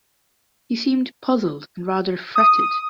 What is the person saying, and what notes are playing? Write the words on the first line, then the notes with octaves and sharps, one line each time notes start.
He seemed puzzled and rather fretted.
D#6